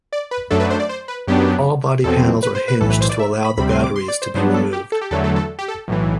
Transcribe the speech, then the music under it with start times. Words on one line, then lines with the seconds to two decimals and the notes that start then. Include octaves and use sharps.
All body panels are hinged to allow the batteries to be removed.
0.13 D5
0.31 B4
0.50 F#2 F#3 A3 D4 A4
0.60 B4
0.70 C5
0.80 D5
0.89 C5
1.08 B4
1.27 F#2 F#3 B3 D4 G4
2.04 E2 B2 F#3 C4 A4
2.43 B4
2.55 C5
2.68 B4
2.81 B1 A2 E3 A4
2.90 B4
3.01 C5
3.09 D5
3.19 E5
3.45 B5
3.58 D2 C3 G3 C4 B5
3.70 C6
3.84 D6
3.96 C6
4.08 D5
4.22 C5
4.34 G2 F#3 B3 D4 C5
4.54 A4
4.73 G4
4.92 A4
5.01 G4
5.11 E2 D3 F#3 A3 A4
5.24 A4
5.36 A4
5.59 G4
5.68 A4
5.88 B1 A2 E3